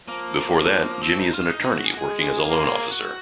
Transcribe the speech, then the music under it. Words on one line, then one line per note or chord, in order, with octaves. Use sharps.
Before that, Jimmy is an attorney working as a loan officer.
F3 A#3
C4
D#4
F4
D#4
D#4
F#4
G#4
F#4
G#3 G#4
A#3
F#4